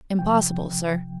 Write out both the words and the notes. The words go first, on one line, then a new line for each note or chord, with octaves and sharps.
"Impossible, sir."
C2 C3 F3 G5